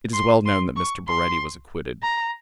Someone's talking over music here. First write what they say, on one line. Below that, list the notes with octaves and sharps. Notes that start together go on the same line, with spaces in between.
It is well known that Mr. Baretti was acquitted.
C6
C6
C#6
C6
A#5